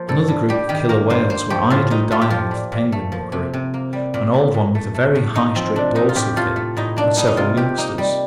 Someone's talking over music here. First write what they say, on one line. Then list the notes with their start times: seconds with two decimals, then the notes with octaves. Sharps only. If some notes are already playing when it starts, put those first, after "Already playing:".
Another group of killer whales were idly diving off the penguin rookery; an old one with a very high straight dorsal fin and several youngsters.
Already playing: F3 A#3 C5
0.09 G2 A4
0.28 G2
0.49 G3 G4
0.69 D#3 G4
0.89 A#3 A#4
1.10 G2 C5
1.30 A#3 C5
1.50 F3 G4
1.70 A2 F4
1.90 A2 D#4
2.11 A3 F4
2.21 G4
2.30 F3 F4
2.51 A#2
2.72 A#2
2.92 A3
3.12 F3
3.32 C3
3.54 C3
3.74 A#3
3.93 G3
4.14 A#2
4.34 A#2
4.54 A2
4.75 A3
4.95 A3
5.15 A2
5.35 A3 D#4
5.56 F3 C4
5.76 C3 D4
5.95 C3 D#4
6.09 F4
6.15 A2 G4
6.36 A3 F4
6.56 A3
6.77 A2 D#4
6.96 A#3 D4
7.17 G3 D#4
7.27 D#4
7.37 C3 F4
7.57 C3 G4
7.78 A#3 D#4
7.98 G3